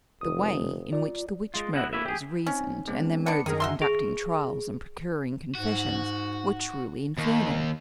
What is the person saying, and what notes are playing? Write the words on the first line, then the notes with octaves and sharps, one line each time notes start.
The way in which the witch murderers reasoned, and their modes of conducting trials and procuring confessions, were truly infernal.
F1 D#6
F4 D5
G#3 F4
D3 B3 E4 F#4
A#3 E4 B4 E5
G4 G#4
C4 C#4 D#4
G#3 B3 C4 D4
B3 D4 C#7
F#2 D#3 D#4 G#4 A#4
F#4 E5 C6
G#4
G#2 F#4
D#2